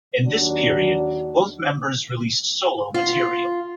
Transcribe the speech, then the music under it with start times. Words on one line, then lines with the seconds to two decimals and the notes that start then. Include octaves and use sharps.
In this period both members released solo material.
0.24 D#2 D#3 F#3 D4
2.94 F4